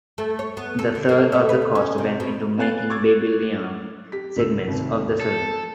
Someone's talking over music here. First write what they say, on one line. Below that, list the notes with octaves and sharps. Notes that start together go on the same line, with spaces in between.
A third of the cost went into making the Babylonian segments of the film.
A3
C#5
B3
A4
D3
A#3
A3
B4
D2
C#4
C3
B2
B3 F5 G#5 F#6 A6 C7
C#6 D6 E6 G#6 A6
G4 B6
C#2 A2 E6
G#1 D#2 C3
A4